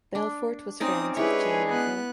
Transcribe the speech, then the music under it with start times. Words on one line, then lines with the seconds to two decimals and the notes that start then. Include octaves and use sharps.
Belfort was friends with Jane Avril.
0.15 D4
0.80 C4 C#4 D#4 D5 D#6
1.17 G#3 D4 E4 G4 G#4 B4 C#5
1.68 B3 F#6